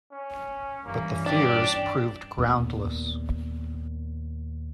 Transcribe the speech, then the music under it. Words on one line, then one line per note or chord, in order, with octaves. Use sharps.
But the fears proved groundless.
C#4
G2 E3 A#3 C#4
D4 G4 D5
D#2 A#2 B3